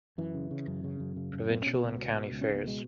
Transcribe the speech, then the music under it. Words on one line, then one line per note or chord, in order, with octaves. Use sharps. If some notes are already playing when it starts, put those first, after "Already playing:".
Provincial and County Fairs.
F#2 E3
C#3
C#3
F#2
C#3
F#2
C#3
F#2
B2 B3
B2 C#4
B3
C#2
B2
B2
C#2
C#4
C#2
B3
B2 G#3